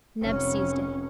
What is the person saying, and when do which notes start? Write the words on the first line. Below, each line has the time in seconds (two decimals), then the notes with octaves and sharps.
Neb seized it.
0.22 F1 C#4